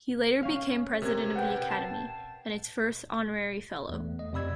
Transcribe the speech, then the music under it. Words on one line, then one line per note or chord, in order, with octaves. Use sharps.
He later became President of the academy, and its first honorary fellow.
C#4 F5
C3 A#4 G#6
B4 F#5 G5
A5 A6 C7 E7
E2 A3
D#5
F2 C3 D5 B5 E6 G#6